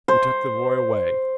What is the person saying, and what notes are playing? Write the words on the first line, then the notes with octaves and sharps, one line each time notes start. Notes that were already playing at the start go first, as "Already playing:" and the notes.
We took the boy away.
C5